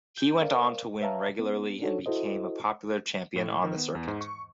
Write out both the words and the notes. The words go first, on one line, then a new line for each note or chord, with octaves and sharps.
He went on to win regularly and became a popular champion on the circuit.
G6
A#4 C5 D5 F5
B4 C#5 E5 F5 A5 A#5
B3 C#4
D4 D#4 F#4 A4 C5 C#5
E4 F#4 A4 C5 D#5
A2
D#3
B3
E2
G#2
C#6